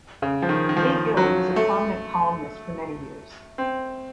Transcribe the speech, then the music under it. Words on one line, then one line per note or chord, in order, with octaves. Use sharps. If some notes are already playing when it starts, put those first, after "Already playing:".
A. Gill was a prominent columnist for many years.
C#3
F3
D#3
D#3
F3
F#3
A3
C4